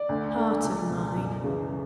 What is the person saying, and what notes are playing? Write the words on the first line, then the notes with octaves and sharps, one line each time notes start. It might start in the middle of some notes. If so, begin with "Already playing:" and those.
Heart of mine!
Already playing: D5
D2
D3
C#2
B2
F#2
C#3 E3